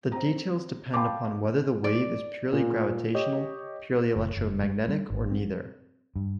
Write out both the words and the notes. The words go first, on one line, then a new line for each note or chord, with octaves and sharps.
The details depend upon whether the wave is purely gravitational, purely electromagnetic, or neither.
C4 A#5
F5 G5 A5 B5 C6 D6
D5
A#2
G4 C#5 D#5
F#1
F#1
G#3
G3
G#1
C4
G2